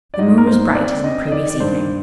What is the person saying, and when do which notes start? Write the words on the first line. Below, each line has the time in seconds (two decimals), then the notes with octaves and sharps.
The moon was bright as on the previous evening.
0.14 D5
0.19 G#2 D#5
0.38 A#4
0.47 G#2 C5
0.75 C4 D5
1.04 C4 D#5
1.27 D#5
1.32 D#3 D5
1.50 D5
1.60 G2 C5